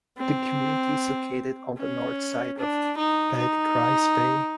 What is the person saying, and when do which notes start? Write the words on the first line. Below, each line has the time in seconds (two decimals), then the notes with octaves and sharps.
The community is located on the north side of Bete Grise Bay.
0.18 C4
1.78 C#4
2.58 D4
2.98 D#4
3.38 D#4